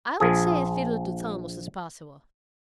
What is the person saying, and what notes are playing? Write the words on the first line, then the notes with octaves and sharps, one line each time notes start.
I would say as little to Thomas as possible.
A#1 F3 G#4